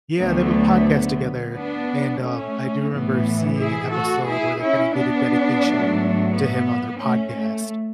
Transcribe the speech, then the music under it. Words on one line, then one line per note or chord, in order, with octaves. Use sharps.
Yeah, they have a podcast together and, um, I do remember seeing an episode where they kind of did a dedication to him on their podcast.
D2 D3 F#3 A3 B3
B3 D4
A3 C#4
A2 E3 A3 B3
E4 G#4
F#4 A4
E4 G#4
C#4 E4
B3 D4
G#2 F#3 A3
B3
A3 C#4
A3